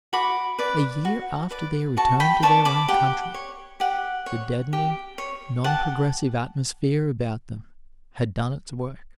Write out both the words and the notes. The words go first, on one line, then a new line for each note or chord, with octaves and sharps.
A year after their return to their own country, the deadening, non-progressive atmosphere about them had done its work.
F#4 B5 D6
B4 D5
F#4
B4 D5
F#4 A5 C#6
G5 B5
B4 D5 A5 C#6
B5 D6
G4 F#5
C#5
G4 F#5
C#5
G4
C#5
G4 F#5 A5